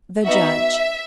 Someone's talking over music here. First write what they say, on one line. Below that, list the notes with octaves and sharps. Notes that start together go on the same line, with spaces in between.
The Judge.
B3 D#4 F#4 E5